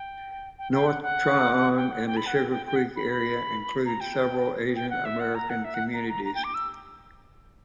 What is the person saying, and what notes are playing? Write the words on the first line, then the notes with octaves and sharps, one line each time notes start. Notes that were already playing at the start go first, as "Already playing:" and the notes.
North Tryon and the Sugar Creek area include several Asian-American communities.
Already playing: G5
G5
G5
F#5
F#5
G5
F#5
G5
B5
F#5
G5
G5
G5
F#5
B5
B5
A#5
G5
G5
F#5
E5
F#5
A#5
F#5
E5
F#5
A#5
A#5
A#5
G5
D6
E6